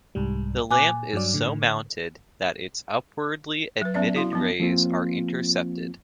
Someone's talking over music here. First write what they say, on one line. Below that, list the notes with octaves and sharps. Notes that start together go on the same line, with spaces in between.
The lamp is so mounted that its upwardly emitted rays are intercepted.
C2 G#2 G3
A#2 G#5 D6 F#6
G2 F#3 D5
A2 D3
F#3 B4
F#3 B3 C#4 D5 E5
E4 F#4 F5 C6
F3 B3 D4
F3 A#3 C4 F4